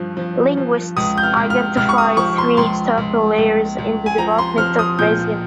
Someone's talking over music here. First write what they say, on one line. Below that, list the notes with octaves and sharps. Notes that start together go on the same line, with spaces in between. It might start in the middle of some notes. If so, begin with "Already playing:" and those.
Linguists identify three historical layers in the development of Resian.
Already playing: G2 F3
F3
F3
C#2 D#6
G6
F6
C#2
F6
C#2 F6
C#6
D#6
F3 C#6
C6
C#2 C6
C#2
C#2
C#2
G#5
F3 A#5
C6
F3 F6
D#6
A#2 G6